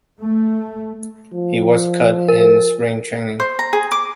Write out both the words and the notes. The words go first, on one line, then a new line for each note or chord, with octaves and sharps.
He was cut in spring training.
A3
F3
A#4
C5
A#5
G#4
D6